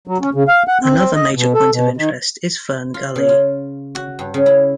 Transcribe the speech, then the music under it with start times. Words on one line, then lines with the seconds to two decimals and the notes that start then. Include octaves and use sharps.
Another major point of interest is Fern Gully.
0.07 F#3
0.21 C#4
0.34 C#3
0.48 F5
0.68 F#5
0.82 C4
0.96 C4
1.15 D#5
1.35 B2
1.54 A4
1.72 B2
1.97 D#3
2.94 F4
3.16 C#3
3.29 F4
3.95 F#4
4.19 G2
4.34 C#3
4.46 E4